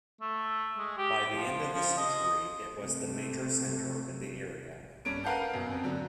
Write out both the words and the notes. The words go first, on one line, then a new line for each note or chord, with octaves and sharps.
By the end of the century it was the major centre in the area.
A3
G#3
G4
F3
F3
D#5
C3 A3
G2 C#4 D7
A#4 B4 F5 F#5 A5 G6
F#2 B2
F2 C4
D3 F#3